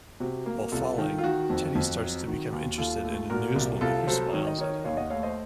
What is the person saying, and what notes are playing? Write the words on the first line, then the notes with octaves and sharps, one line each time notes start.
While falling, Teddy starts to become interested in a newswoman who smiles at him.
C3 F#4
A#3
C2 F4 A4
D#3
F4
D#3 F#4
F2
F2
F#3
D#3 F#4
D#2
D#2 F4 A4
A3
A#2 F#4 A#4
C2
C2 F4 A4
F#3 A4 C5
D#3 C#5
D#5
D#4 A#4 C#5
D#2 C#5 F5
D#5 F#5
A3 C#5 F5
C5 D#5